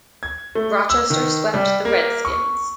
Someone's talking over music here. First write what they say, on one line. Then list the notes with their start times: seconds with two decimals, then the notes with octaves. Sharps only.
Rochester swept the Red Skins.
0.23 G#6
0.55 A3
0.90 E6
1.10 D#3
1.54 G3
1.85 A#3
2.25 C#6